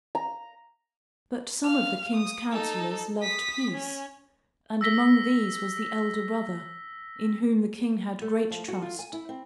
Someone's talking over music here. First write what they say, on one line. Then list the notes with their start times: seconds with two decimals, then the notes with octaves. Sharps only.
But some of the king's counselors loved peace, and among these was the elder brother, in whom the king had great trust.
0.15 A#5
1.64 F5 F6
2.14 D#6
2.52 D#4 A4
3.22 D#6 B6
3.71 C#4
4.81 E6 A#6 B6 G7
8.22 A3
8.50 F3
8.68 F#4
8.82 F4
8.99 G#5
9.13 E4
9.29 C4